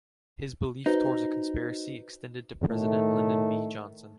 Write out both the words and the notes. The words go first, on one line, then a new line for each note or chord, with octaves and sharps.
His belief towards a conspiracy extended to President Lyndon B. Johnson.
D#4 F#4 B4 C5
A2 D#3 A3